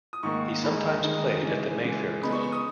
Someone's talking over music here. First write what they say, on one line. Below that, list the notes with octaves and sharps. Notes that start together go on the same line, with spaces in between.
He sometimes played at the Mayfair Club.
D#6
G#2 D#3 A#3 C#6
D#2 D#3 G#3 D#4 B5
D#2 D#3 G#3 D#4
C#3 E3 G#3
C#3 E3 G#3
C#3 G#3 B3 D#4 B5
C#6
C#6
D#6